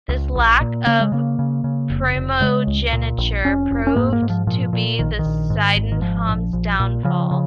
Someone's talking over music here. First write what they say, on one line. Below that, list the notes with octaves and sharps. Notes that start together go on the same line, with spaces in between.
This lack of primogeniture proved to be the Sydenham's downfall.
C#2
A#1
A#2
C#3 A#3
G#3
C#3 A#3
C#3
C#3
F1
F1
C#3 G#3
C#2
A#2
A#1
F1 C#4
F1
C#4
G#2 A#3
A#3
G#2
F3
A#2 F3
A#2
A#1 D#3
D#3
A#1
G#2
G#1
D#3
G#2 F3
A#1
A#1
A#2
C#3 F3
C#3